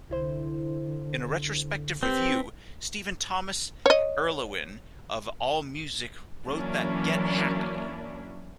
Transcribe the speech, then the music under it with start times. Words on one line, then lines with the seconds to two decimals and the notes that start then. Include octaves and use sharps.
In a retrospective review, Stephen Thomas Erlewine of AllMusic wrote that Get Happy!!
0.10 C2 D3 E4 C5
2.03 C4 G4 B4 B6
3.86 C#5 D#5
6.46 E3 F#3 A#3 C#4 D4 E4